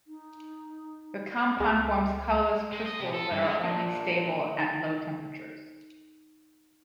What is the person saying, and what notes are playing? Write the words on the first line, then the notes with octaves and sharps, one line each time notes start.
The compound forms colorless crystals that are only stable at low temperatures.
D#4
C#2 G#3 E5
G#3
D#5
C3
A4
G2
G#3
A#2 A#3 D4
D#4 A6